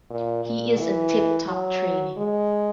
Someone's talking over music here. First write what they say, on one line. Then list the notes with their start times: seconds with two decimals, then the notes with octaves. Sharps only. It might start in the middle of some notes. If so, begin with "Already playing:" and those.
He is in tip-top training.
0.10 A#2
0.45 A#2
0.79 E3
1.48 F#3
2.17 G#3